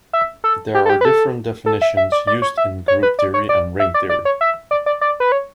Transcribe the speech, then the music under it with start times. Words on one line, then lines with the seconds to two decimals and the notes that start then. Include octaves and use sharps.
There are different definitions used in group theory and ring theory.
0.13 E5
0.44 A4
0.75 G4
0.86 A4
0.89 G4
1.01 B4
1.05 A4
1.66 A4
1.82 E5
1.97 E5
2.12 D5
2.27 D5
2.42 C#5
2.57 E5
2.88 C#5
3.03 B4
3.19 D5
3.34 C#5
3.49 D5
3.80 E5
3.94 D5
4.09 D5
4.25 C#5
4.41 E5
4.71 D5
4.86 D5
5.01 D5
5.20 B4
5.32 C#5